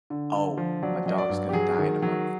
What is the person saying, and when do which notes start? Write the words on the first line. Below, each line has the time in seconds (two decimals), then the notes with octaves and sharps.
"Oh, my dog is gonna die in a month."
0.10 D3
0.35 D3
0.58 F3
0.83 F#3 D5
1.06 F#3 D#5
1.18 D5
1.29 G2
1.49 G4
1.53 F#3 G#4
1.79 D#3
2.03 F#3